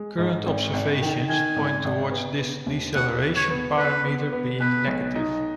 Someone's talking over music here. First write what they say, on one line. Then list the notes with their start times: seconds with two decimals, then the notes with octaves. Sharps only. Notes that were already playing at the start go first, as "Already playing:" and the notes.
Current observations point towards this deceleration parameter being negative.
Already playing: G#3
0.18 G#2
0.46 G#1
0.73 G#1
1.02 D#3
1.29 D#3 G#5
1.56 G#1
1.84 G#1
2.11 B3
2.39 B3
2.66 D#2
2.95 D#2 F#5
3.23 B3
3.36 C#5
3.50 B3
3.77 B3 B4
4.05 B3
4.32 B3
4.60 B2 B4
4.87 B1
5.15 D#4